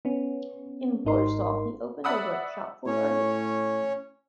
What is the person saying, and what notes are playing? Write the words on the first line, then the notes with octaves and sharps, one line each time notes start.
In Warsaw he opened a workshop for artists.
B3 C#4
G#1 G#2 D#4 A#4 C6
D5 E5 F#5 B5 D#6 E6
A2 C#4 C#5